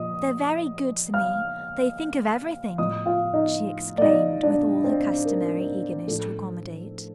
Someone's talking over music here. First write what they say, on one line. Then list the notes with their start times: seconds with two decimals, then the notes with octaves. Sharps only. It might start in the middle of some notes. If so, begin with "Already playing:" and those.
"They're very good to me--they think of everything!" she exclaimed with all her customary eagerness to accommodate.
Already playing: A#2 F3 D#5 D#6
1.14 F5 F6
2.78 A2 F3 D#5 D#6
3.06 F4 F5
3.33 D#4 D#5
3.98 D5
4.02 D#4 D#5
4.43 D4 D5
4.84 C4 C5
5.25 A#4
6.08 A2 F3 A4